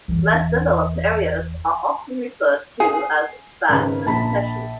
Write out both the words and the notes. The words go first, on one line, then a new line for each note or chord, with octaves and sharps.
Less developed areas are often referred to as "back concessions".
E2
G#4 C7
G#1 C#3 B4
A#1 A5 B5